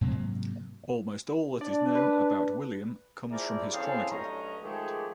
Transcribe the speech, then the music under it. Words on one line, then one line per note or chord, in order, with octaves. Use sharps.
Almost all that is known about William comes from his chronicle.
G#2 C3 F#3 A#3
D4 D5
B4
F3 E4 G#4 A#4 D5
C4 C#4 E4 G#4 A4 F5
G2 F#3 A3 C#4 D#5 A#5
D#3 F3 G#3 A3 G4 G#4